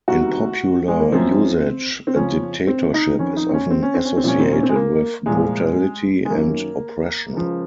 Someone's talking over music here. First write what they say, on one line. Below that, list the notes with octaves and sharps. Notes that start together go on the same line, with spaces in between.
In popular usage, a "dictatorship" is often associated with brutality and oppression.
C2 C3 D#3 F#4
G#3
A#3
F#2 F3 C4
C4
F2 C#3 F3 C#4
C4
D#4
F2 D#3 C#4
D#4
C4
C#4
C4
C#4
C4
C#4
C4
C2 A#2 F3 C#4
C4
C#4
C4
G#3
A#3
C2 A#2 F3 G#3
G#3
F#2 D#3 A#3
C#2 C#3 F3